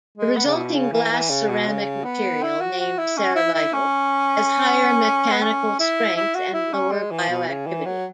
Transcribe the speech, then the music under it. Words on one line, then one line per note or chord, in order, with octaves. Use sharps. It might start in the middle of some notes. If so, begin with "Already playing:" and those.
The resulting glass-ceramic material, named Ceravital, has higher mechanical strength and lower bioactivity.
G#3
B3
C#3
B2
C#3
E3
E3
C#3
B2
C#3
B3
E4
F#4
F#4
E4
C#4
E4
E4
C#4
B3
C#4
E4
E4
F#4
E4
C#4
G#3
E3
B2
C#3
E3
F#3